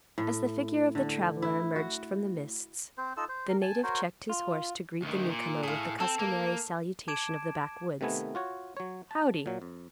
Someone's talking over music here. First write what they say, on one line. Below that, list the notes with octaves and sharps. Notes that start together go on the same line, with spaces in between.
As the figure of the traveler emerged from the mists, the native checked his horse to greet the newcomer with the customary salutation of the backwoods, "Howdy."
A2
D3
E4
F#4
C4 C5
D#4 F4 A4 E6
C5
A#4
G#5 A5
F#4 A#4 C5 C#5
F4
D2 D#3
A#2
A2 G#4 F5
C4 A4
A#3
A5 D6 G#6 D7 E7
C3 D#3 A3 B3 G#5
F4 F#4 C#5
F#3 C#5
A5
A#2 F#3
F2